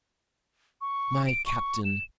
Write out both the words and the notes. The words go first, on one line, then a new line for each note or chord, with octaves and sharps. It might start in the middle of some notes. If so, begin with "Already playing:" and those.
My Captain!
C#6
D7
C#6
E7